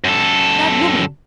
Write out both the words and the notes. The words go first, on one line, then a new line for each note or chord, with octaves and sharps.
That woman!
F#2 A4